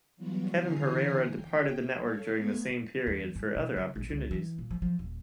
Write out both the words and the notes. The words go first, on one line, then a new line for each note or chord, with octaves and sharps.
Kevin Pereira departed the network during the same period for other opportunities.
E3 F#3 G3 B3 F4 F#4
D3 E3 C5 G#5 A#5 C7
G5
A4 C#5 F5
A3 B3 G#6
E2
G#2
B2
C#3
A#1
C#2
E3
A#2
F3
F3
D#1